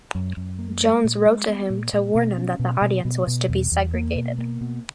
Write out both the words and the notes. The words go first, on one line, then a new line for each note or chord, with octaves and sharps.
Jones wrote to him to warn him that the audience was to be segregated.
F#2
F#2
A#3
G#3
A#2
G#3
B3
A#2
A#2
B2
C#4
B2
B2
B2
B2
E2
E2
A#3
B2
A#3
B2